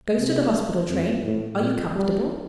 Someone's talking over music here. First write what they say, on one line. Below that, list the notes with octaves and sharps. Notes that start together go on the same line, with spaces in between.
Goes to the hospital train--'Are you comfortable?
C3
F2
A2
A#2
G3